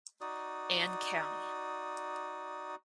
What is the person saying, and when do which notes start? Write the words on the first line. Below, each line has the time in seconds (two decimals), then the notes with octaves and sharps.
Anne County.
0.21 D#4 F#4 D5 D#6